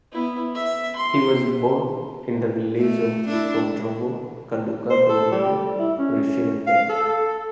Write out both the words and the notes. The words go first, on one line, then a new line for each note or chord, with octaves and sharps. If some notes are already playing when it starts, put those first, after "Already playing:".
He was born in the village of Kondrovo, Kaluga Governorate, Russian Empire.
B3 E4
E5
C6
A3
D4 E4
C5
A4
G3
E4
C#4
F5
A4